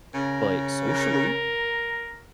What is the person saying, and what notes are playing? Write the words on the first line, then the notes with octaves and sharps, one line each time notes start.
but socially,
C#3 A#4
A#4